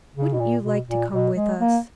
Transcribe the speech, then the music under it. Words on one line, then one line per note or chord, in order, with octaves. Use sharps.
Wouldn't you like to come with us?'
C#3
B2
A#2
B2
A#2
B2
G#3
A#3